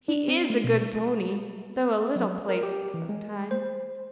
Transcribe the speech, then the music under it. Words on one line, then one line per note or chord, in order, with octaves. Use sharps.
He is a good pony, though a little playful sometimes.
D4
C4
A3
B2
F#3
A#4
G4
E3
G#3
C5